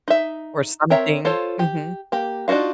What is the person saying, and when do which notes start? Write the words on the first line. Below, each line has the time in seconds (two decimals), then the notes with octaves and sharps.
or something. Mhm.
0.08 D#4 E5
0.90 C4 A#4 C#5 E5 A#5
1.25 F4 A4 C5 C#5
1.59 G4
2.12 A#3 G4
2.48 D4 D#4 F4 F#4 F5